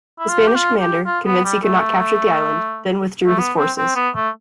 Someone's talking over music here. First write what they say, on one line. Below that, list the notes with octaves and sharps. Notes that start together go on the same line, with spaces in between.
The Spanish commander, convinced he could not capture the island, then withdrew his forces.
E4
F4
G4
F4
G4
F4
B3
G3
A3
A3
B3
C4
C4
B3
A3